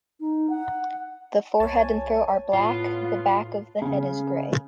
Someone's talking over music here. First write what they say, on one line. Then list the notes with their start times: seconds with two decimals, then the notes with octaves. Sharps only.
The forehead and throat are black; the back of the head is grey.
0.20 D#4
0.50 F#5
1.60 C2 C#5 G#5 A5
2.53 A2 B3 F4
3.82 C#3